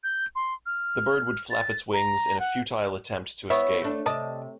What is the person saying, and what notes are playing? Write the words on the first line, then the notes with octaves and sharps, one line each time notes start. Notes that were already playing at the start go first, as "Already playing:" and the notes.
The bird would flap its wings in a futile attempt to escape.
G6
C6
F6
A6
A#5
F#5
B3 E4 C#5 E5
A3 D4
C3 D5 D#5 A5